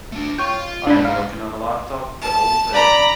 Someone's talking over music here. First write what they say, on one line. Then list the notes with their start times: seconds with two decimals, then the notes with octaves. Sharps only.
I am working on a laptop the whole day.
0.12 A3 D4
0.38 F4 C#5 G5 C6
0.87 G#2 D4 B5
1.05 F5
2.22 A5
2.74 D5 A#5 B5